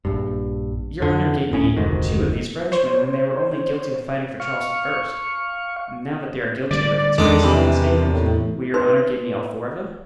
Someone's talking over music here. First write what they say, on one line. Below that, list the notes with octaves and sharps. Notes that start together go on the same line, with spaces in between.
"Your honor gave me two of these Frenchmen when they were only guilty of fighting for Charles I. Now that they are guilty of a conspiracy against England will your honor give me all four of them?"
A#1 G2
F2 D3
D1 A2 C#4
F1 D2 G#2 D#3
C5 C#5
F5 C#6
D3 G3 D5
E2 D#3 G#3 D4 A4 D6
C3 E3
A2
D#4 B4 C6